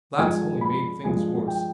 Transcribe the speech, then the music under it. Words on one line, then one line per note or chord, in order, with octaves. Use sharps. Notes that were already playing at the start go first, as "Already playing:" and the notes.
That's only made things worse.
G2 F3 G#3 G#5
B5
G2 F3 G#3 G#5
G5